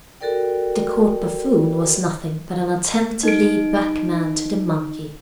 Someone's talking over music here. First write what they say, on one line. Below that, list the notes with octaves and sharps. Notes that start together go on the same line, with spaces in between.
The Court buffoon was nothing but an attempt to lead back man to the monkey.
F#4 A4 A#4 D5 G5
D#4 D7